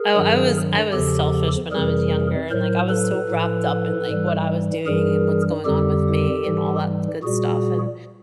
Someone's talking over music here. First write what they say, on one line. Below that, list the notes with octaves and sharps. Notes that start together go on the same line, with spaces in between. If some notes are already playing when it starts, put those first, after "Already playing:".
Oh, I was I was selfish when I was younger, and, like, I was so wrapped up in, like, what I was doing, and what's going on with me, and all that good stuff, and,
Already playing: G#4 A#4
G2 D#3 F#3
E2 C#3 F3 G4 A4
F2 C3 E3 G3 G#4 A#4
A2 F#3 A#4 C5
A4 B4
A2 F3
G#2 E3 G3
G2 E3 G3 G#4 A#4
F2 D3 G3 G4 A4
G#2 E3 G3
A#2 G3 F#4 G#4